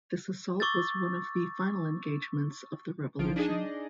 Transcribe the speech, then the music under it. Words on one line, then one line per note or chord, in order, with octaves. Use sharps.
This assault was one of the final engagements of the Revolution.
C#6 D6 E6 G6 A6
A#1 F3 F4 D7
D4 D#4 G#4 D#5